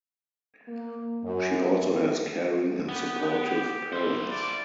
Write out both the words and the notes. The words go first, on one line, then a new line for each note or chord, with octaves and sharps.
She also has caring and supportive parents.
A#3
F#2
B3 G4
E4 C5
D5